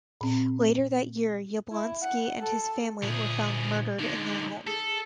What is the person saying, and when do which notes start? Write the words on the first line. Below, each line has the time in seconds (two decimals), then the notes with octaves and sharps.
Later that year, Yablonski and his family were found murdered in their home.
0.21 A#2 C4
1.72 E4
2.02 F#5
2.41 A4
3.03 D2 A#2 G#4
3.99 D3 G#3 D#4
4.67 G#4 A4